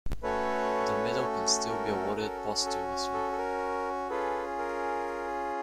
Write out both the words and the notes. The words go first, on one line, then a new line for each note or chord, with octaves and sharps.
The medal can still be awarded posthumously.
A3 C#4 F#4 A4 B4 C#5
A#4
C#4 F#4 A4
A4
A4
A4
A#4
C#4 F4 G#4 A4 B4
A#4